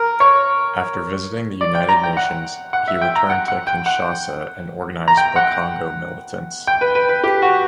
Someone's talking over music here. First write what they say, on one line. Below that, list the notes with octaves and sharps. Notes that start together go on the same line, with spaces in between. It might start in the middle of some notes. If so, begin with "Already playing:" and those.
After visiting the United Nations, he returned to Kinshasa and organized Bakongo militants.
Already playing: A#4
C#5
D5
G5
A#5
G5
F#5
F#5
E5
G5
A#5
F#5
F#5
G5
F#5
A#5
G5
F#5
G5
B4
B4
B4
G4
F#4